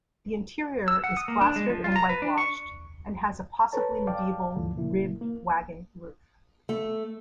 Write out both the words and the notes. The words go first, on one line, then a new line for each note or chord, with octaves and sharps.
The interior is plastered and whitewashed and has a possibly medieval ribbed wagon roof.
E6
F#5
D#6
A#3
D4
G#3
F3
F4
A#5
B4
D4
C#6
A4 B4 C#5 A5 A#5
D5 F5 G5 A5 D6
D2 G2 E3 F3 A3
A#2 C#3 A#3 E4
A#3
A3